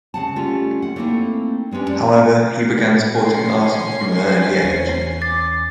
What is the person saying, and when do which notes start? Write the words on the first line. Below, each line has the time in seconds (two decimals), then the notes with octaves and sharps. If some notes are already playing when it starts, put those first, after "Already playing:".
However, he began supporting Arsenal from an early age.
0.14 C#3 F#5 A5
0.36 G3 A3 C#4 F4
0.82 F#5
0.96 A3 A#3 C4 D#4 E4 A4
1.71 G3 G#3 B3 C#4 D4
1.89 D5
3.23 C#4 C6 C7
4.64 E2 C5
5.22 D6 A6